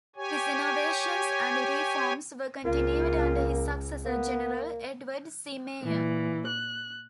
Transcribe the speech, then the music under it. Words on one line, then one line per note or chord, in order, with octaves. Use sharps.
His innovations and reforms were continued under his successor, General Edward C. Meyer.
G4 C#5 G#5
C#2 A#3 F4
A#3 B3
A#2 E3
F#6